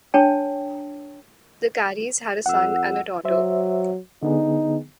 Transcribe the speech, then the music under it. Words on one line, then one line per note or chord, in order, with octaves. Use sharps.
The Careys had a son and a daughter.
D4 C#5 G5 A5
F2 F#5 E6
F#3 C5 E5
D3 B3 D#4 G#4